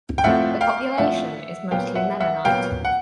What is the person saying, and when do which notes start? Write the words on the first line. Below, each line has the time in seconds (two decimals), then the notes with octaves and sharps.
The population is mostly Mennonite.
0.18 G5
0.24 A2 F3 A3 C4 E5 F#5
0.61 F5 G5
0.98 A2 F3 A3 C4 E5 F#5
1.71 A#2 F#3 B3 F5 G5
1.95 E5 F#5
2.20 E5 F#5
2.45 A#2 F#3 B3 F5 G5
2.85 F#5